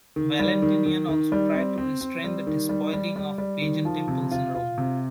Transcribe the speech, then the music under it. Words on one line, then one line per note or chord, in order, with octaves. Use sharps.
Valentinian also tried to restrain the despoiling of pagan temples in Rome.
D#3
G3
D#3
D#3
D#3
G3
C4
C4
C4
G3
D#3
G3
G3
G3
G3
D#3
F3
C3
F4
F4
C3